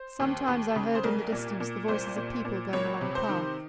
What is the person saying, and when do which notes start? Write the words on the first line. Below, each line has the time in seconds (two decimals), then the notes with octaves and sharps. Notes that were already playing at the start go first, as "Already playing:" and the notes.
Sometimes I heard in the distance the voices of people going along a path.
Already playing: C5
0.20 D#2
0.48 D#2
0.76 C#3
0.95 C5
1.04 C2 A#4
1.32 A#2
1.60 A#2
1.88 C2 C5
2.16 A#2
2.45 A#2
2.73 C#2 C#5
3.01 C3
3.15 C5
3.29 D#3